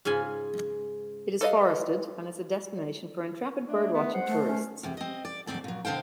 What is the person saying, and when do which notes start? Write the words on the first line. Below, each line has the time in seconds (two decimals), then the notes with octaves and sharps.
It is forested, and is a destination for intrepid bird-watching tourists.
0.05 G#2 C#3 F4 G#5 B5
1.41 A4 B4 C#5 D#5 F5
3.68 A3 D4
3.94 B3
4.14 C5 F#5
4.27 A3
4.47 C#4
4.83 E2 C3
4.97 C4 D#5
5.25 D5
5.47 D2 G#2 C4 D5
5.64 A#2 F#3
5.85 B2 D3 C5 F5 G5